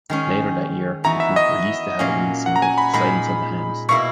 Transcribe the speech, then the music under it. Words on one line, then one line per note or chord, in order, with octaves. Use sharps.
Later that year, the group released the Halloween single Silence of the Hams.
D#3 G#3 C#4
E3 B3 D#4 F#4 A#5
E5
D#5
A#2 F#3 A#3 C#4
F#5
A#5
G#5
B5
A#2 G#3 D#4 B5
B2 A#3 E4 C#6